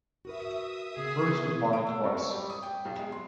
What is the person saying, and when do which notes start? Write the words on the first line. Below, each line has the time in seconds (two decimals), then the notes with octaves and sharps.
Bruce was married twice.
0.25 F#4 A#4 B4 E5 D#6
0.97 C#3 B3 G#4
1.73 D7
1.87 E6
2.04 F#2
2.17 C#6
2.31 G3
2.50 D#6
2.63 G5
2.85 B1
2.99 G#3
3.12 C6